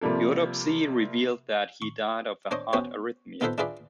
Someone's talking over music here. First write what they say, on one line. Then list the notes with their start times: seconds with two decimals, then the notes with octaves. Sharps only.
The autopsy revealed that he died of a heart arrhythmia.
0.01 C3 F3 G3 A#3 A4
1.82 C#6
2.51 D4 C5 C#5 D#5
2.73 B3 C#4 F#4 C5 C#5
3.41 B3 D#4 F4 A4 B4 C5
3.58 D4 E4 F4 G#4 B4 D5